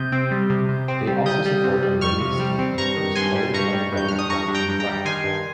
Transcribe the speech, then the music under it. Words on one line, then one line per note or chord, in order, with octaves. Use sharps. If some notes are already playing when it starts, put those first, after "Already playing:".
They also support a ladies' team, whose colours are red, white and black.
Already playing: C3 D#6 G6
C4
G3
C3
C3
C4
G3
G3 D#6 G6
G3
C3
G3
F2 C#6 F6
C3
G3
C4
G2 A#5 C#6
D#3
G2 G#5 C6
G3
G2 A#5 C#6
G3
G2 G6
G2 F6
D#6
G2 A#5 C#6
G2
G5 A#5
G2
G5 A#5
G3
D#3 G#5 C6
G2